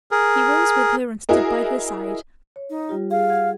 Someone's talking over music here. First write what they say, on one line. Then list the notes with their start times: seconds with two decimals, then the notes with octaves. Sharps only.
He rose with her, and stood by her side.
0.11 G#4 A#4
1.29 E4 F#4 G#4 A#4 D#5
2.56 C#5
2.70 D#4
2.89 G3 F4 G4
3.11 G#4 F5
3.30 F#5 G#6